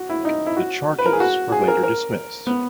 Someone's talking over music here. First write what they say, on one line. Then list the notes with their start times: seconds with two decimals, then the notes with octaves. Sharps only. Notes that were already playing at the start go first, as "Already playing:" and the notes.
The charges were later dismissed.
Already playing: F#4
0.09 E4
0.25 D#4
0.46 E4
0.57 F#4
0.99 B4
1.06 A#4
1.13 G#4
1.20 F#4
1.52 G#4
1.68 A#4
1.83 A#4
2.47 B3